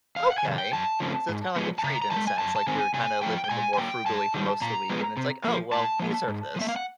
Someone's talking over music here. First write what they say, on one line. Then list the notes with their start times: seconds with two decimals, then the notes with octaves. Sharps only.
Okay. So it's kinda like a treat in a sense, like, you're kinda living a little more frugally for most of the week, and it's like, "Oh well, we deserve this."
0.16 E2 F5
0.31 F#5
0.38 G#5
0.45 C3 D#3
0.58 G5
0.73 F#2 A5
1.00 C#3 F3 A3 C4
1.28 G#2
1.56 F3 G#3 B3
1.78 A5
1.83 C#3 A#5
2.02 A#5
2.11 E3 A5
2.16 G#3
2.27 G#5
2.38 F#2 A5
2.56 A5
2.67 D#3 G#3 C4 G#5
2.94 C3 G#5
3.22 F3 A3 G5
3.44 G5
3.50 A#2 G#5
3.73 G#5
3.78 F#3 A#3 G5
4.06 G2 A5
4.34 D#3 G3
4.61 A#2 A#5
4.90 F3 G#3 B3
5.17 C3
5.44 F3 A#3
5.72 A2 A5
5.99 F3 A#3
6.28 G#2
6.56 F3
6.60 A#3 E5
6.69 F5
6.76 F#5